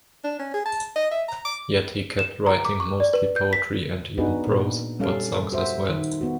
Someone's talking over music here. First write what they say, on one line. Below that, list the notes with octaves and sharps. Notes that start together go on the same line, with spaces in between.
Yet he kept writing, mostly poetry and even prose, but songs as well.
D4
C#4
G#4
A5
D#5
E5
A#5
D6
E7
A#5
D6
C#6
D5
B4
G6
B6
B3 D4 D#4 F#4 G#4 B4
A#2
G3 C#4 A4 F5
F#4 C5 E5
D#3
B3 F#4